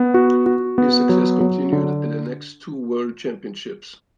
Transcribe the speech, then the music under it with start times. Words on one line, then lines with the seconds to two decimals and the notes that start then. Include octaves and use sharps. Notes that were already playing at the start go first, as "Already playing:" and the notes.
His success continued at the next two World Championships.
Already playing: B3
0.14 F#4
0.46 F#4
0.78 B3
1.09 F#3
1.41 F#3
1.72 D3